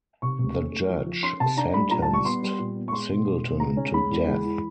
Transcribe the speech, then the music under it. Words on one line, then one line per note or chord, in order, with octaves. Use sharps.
The judge sentenced Singleton to death.
C3 C#6
C3
C#4
A3
F3
F3
C#4 C6
C3 A5
D4 A#5
G3 B5
A#2 A#5
A5
G3
C#6
B3 C6
G3
A#2
B3
C#6
G#3 C6
B2
B2
B2
G#3 A#5
C#4
G#3 B5
E2
G#3
E3